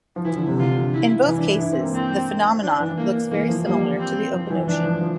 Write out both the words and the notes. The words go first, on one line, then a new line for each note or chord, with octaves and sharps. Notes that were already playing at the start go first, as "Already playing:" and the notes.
In both cases, the phenomenon looks very similar to the open ocean.
F3
E3 E4
D3
C3
D3 F4
E4
E3 E4
D4
E4
E4
C4
A#3
C4
D4
E3
A#3
E3 A#3
F3
G3 A#3
C4
F3
E3
E3 D4
F3
F3